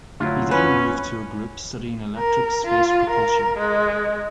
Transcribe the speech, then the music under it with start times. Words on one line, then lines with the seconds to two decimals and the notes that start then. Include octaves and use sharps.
He then moved to a group studying electric space propulsion.
0.20 D2 F#3 E4 F4
0.51 F2 C#4 B4
2.18 A#4
2.65 F4
3.10 A#4
3.58 G#3